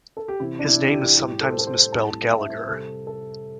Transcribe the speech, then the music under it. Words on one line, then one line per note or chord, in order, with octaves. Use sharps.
His name is sometimes misspelled "Gallagher".
A4
G4
C3 E3 C4 E4
D4
E4
G4
A2 G3 C4 G4
A4
C5
A4
C5
A2 G3 C4 A5
E5
C5
C3 G3 C4 A4
A4